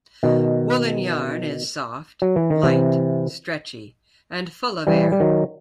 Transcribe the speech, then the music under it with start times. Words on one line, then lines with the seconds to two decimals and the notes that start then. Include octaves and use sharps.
Woolen yarn is soft, light, stretchy, and full of air.
0.23 B2 D#3
2.22 F#3
2.36 E3
2.50 D#3
2.63 C3 E3
4.87 E3 G3
5.12 G3
5.20 D#3 F#3